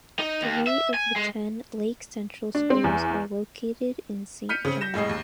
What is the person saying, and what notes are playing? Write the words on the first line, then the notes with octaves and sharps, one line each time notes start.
Three of the ten Lake Central schools are located in Saint John.
D#4
D#2
E5
G#5
G#3
D4
C4
E2
F6 G6 B6 C#7 D#7
C#3 C4
G6 A#6 E7
F1 A2 G#4 D#5 C7
D#2